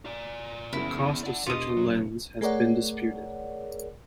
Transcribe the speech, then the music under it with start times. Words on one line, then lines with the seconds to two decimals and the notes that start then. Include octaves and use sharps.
The cost of such a lens has been disputed.
0.05 F4 D5
0.73 F#1 B3 E4 G#4
1.23 D5 F#5
1.46 E1 F4 G4 D#5 C#7 F7
1.77 F#3
2.41 A3 G#4 A#4 C#5 D5 F#5